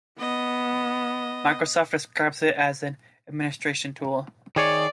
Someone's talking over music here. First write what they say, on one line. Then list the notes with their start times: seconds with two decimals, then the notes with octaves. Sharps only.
Microsoft describes it as an "administration tool".
0.19 B3 D#5
4.56 D#3 G#4 C#5 D5